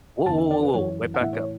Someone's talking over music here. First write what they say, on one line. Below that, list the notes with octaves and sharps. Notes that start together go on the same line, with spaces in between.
Whoa, whoa, whoa, whoa, wait, back up.
E2 D3 A5
E5
D5
B4
F#2 E3 C#5
F#5
A2 E3 E5
C#5